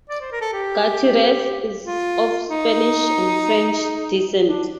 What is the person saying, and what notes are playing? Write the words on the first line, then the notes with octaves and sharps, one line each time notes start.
Gutierrez is of Spanish and French descent.
D5
C5
A#4
A4
G4
F4
D#4
D4